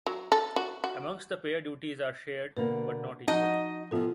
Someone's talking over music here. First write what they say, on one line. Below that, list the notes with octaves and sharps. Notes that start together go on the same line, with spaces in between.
Amongst the pair duties are shared but not equally.
F#3
A4
F#4
F#4
B2 D3 A#3 B4
F3 D#4 F#4 D#5 F#5 A5
C3 E3 F3 B3 F4 A4